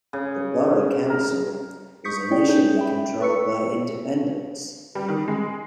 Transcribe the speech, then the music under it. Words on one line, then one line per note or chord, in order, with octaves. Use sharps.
The borough council was initially controlled by independents.
C#3
A#4
C#6 D#6 G6 B6 C#7
C#4 E4 C#5 D5 G5
C#4 D#4 G#4 G6
E5 G5 B5
A4 B4 C#6 E6 C#7
G3
D#3
G#3